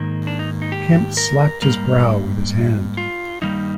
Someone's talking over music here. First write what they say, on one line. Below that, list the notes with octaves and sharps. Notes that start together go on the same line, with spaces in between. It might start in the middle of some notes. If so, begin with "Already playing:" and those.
Kemp slapped his brow with his hand.
Already playing: G#2 D#3 A#3
D4
D#4
D#4
G4
A#4
G#2 G3 A#3 A#4
F4
G2 D#3 G3 A#3 D#4